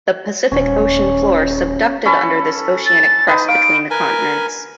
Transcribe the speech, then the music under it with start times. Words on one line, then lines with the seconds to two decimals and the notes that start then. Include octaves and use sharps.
The Pacific Ocean floor subducted under this oceanic crust between the continents.
0.52 D#1 C#4
2.05 C#4 A4 B5
2.86 A6
3.28 D#4 B4
3.48 F5 D7
3.91 A#4 B4 G#5